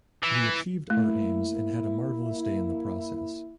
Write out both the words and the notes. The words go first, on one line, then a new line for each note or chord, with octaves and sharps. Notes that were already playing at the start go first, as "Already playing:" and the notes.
We achieved our aims and had a marvellous day in the process.
E3
A3 A#3 E4